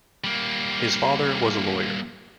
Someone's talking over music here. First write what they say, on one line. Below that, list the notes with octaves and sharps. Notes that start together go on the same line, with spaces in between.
His father was a lawyer.
G3 A#3